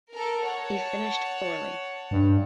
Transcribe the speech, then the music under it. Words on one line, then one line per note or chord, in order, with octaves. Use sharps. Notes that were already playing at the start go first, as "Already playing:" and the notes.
He finished poorly.
A4 A#4
C#5 F#5 A5
G2